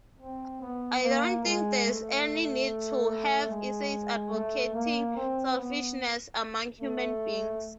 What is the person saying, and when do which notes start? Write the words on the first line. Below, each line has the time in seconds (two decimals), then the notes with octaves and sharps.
I don't think there's any need to have essays advocating selfishness among human beings.
0.20 C4
0.61 B3
1.03 A#3
1.44 G#3
1.85 A3
3.50 G#3
4.32 A3
4.74 A#3
5.16 C4
5.56 B3
6.80 A3